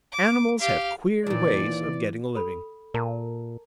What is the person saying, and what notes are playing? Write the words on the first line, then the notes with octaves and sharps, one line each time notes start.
Animals have queer ways of getting a living.
D6
G4 F5
D#2 A#2 E3 D5
A4 B5
A#2 A#4 A5 A#5